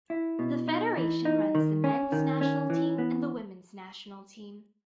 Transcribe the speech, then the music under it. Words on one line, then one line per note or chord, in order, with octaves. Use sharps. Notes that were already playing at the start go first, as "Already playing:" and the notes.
The Federation runs the men's national team and the women's national team.
E4
B2
D#4
E3
D#4
D#3
C#4
D#3
C#4
E3
B3